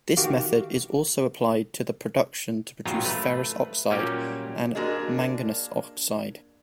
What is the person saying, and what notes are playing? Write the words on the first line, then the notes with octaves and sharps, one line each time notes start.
This method is also applied to the production of ferrous oxide and manganous oxide.
D#3 E3 F#4 G4 F5 D6
A1 G#2 B2 F#3 F4 A#5
A3 B4
A#2 F#3 G3 A#3 C#4 G4
A#3 D4 F#4 G#4 A#4 D#5